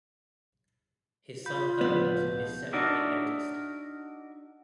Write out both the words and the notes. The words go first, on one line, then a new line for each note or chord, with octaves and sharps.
His son Herbert is separately noticed.
F4 B5 G6
C#2 A2 F3 B3 G6
B2
D4 D#4 F#4 A#4 D5 E5